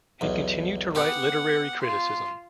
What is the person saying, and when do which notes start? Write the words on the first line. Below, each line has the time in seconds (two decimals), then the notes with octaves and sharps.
He continued to write literary criticism.
0.21 B1 E2
0.95 B3 G4 F#5
1.82 F4 C6